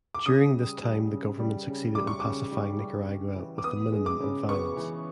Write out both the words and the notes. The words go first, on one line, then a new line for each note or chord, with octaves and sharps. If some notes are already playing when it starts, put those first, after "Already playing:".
During this time the government succeeded in pacifying Nicaragua, with a minimum of violence.
D6
C#3 D#6
G3
G3
C#3
G3
C#3
G3 D6
C#6
C#3 D6
G3
G3
C#3
E3
D6
B3 D#6
G#3
D6
C#3
B3 C#6
E3